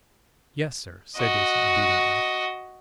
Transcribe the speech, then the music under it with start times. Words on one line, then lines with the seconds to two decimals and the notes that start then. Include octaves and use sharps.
"Yes, sir," said Jason obediently.
1.17 F#4 D#5